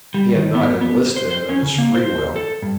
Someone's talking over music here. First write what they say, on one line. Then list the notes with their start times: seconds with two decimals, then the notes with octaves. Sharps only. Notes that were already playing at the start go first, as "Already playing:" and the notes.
He had not enlisted of his free will.
0.14 G3
0.35 D#3
0.55 B3
0.81 B3
1.16 C5
1.31 C5
1.49 C#4
1.62 C#3
1.78 A#3
1.94 C5
2.36 A4
2.62 G2